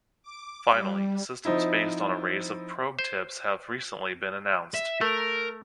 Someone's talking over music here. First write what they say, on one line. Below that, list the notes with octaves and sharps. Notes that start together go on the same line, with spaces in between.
Finally, systems based on arrays of probe tips have recently been announced.
D6
G3
F3 C4 D#4 E4
C5
E5
A3 A#4